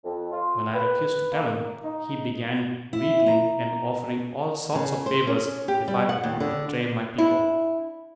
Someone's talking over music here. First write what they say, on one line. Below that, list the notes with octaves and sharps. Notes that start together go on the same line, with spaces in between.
When I refused to tell him, he began wheedling and offering all sorts of favors if I would betray my people.
F2
F4
B4
A#3
D#4
E4
A#5
C#3
C5
C#4
G4
G3
F#5
D#2
D3
D4 E4